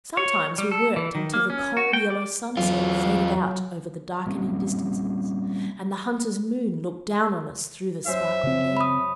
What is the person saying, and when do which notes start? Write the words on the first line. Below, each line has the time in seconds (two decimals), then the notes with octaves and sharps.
Sometimes we worked until the cold yellow sunsets faded out over the darkening distances, and the hunter's moon looked down on us through the sparkling air.
0.17 C#5
0.58 G3
0.72 A4
0.96 E3
1.15 D#3
1.34 A#3
1.50 C#4
1.77 F#4
1.93 G5
2.10 D5
2.57 E2 F#3 F4
4.26 G3 A#3 C4 C#4
8.07 F#2 C5 E5
8.43 C#3 C4
8.77 B5 D#6